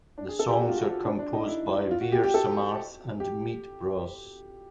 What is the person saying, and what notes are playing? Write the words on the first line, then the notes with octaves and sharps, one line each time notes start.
The songs are composed by Veer Samarth and Meet Bros.
D4
G#4
A4
G4
F#4
F4
F#4
D4
D4
D#4
E4
F4
F#4
G4
G4
A4
G4